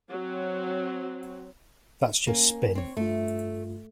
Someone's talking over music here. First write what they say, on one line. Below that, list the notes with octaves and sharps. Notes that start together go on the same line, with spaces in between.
That's just spin.
F#3 C4
A#3 C#4
C4 C#5
G2 A3 F4